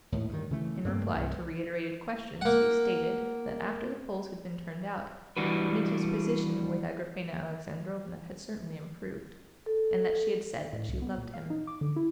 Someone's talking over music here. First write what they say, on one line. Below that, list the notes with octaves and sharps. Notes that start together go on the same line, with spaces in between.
In reply to reiterated questions he stated that, after the Poles had been turned out, Mitya's position with Agrafena Alexandrovna had certainly improved, and that she had said that she loved him.
D#2 A2
G2 D#3
C#3 E3 A3
G2 A3 A#3 C4
C2
A#3 F#5
E3 G3 D4 F#4 B4
A4
A2
C2
B3
A#2
F5
D#4
D6
D3
E4